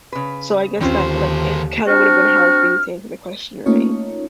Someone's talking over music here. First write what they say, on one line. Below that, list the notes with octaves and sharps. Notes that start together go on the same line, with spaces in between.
So, I guess that, like, it kinda would've been hard for you to answer the question, right?
C#3 B4
D#2 D3 D#3 C4 C#4 F4 C5
C4 D4 F#4 F6
A3 A#3 C#4 D#4 F4 C#5